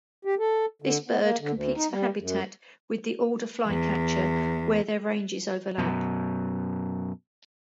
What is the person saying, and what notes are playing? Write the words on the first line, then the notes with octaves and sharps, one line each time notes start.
This bird competes for habitat with the alder flycatcher where their ranges overlap.
G4
A4
D3
B3
A#3
D3
D2
D#4
G3
F#2
E2
F#2 B2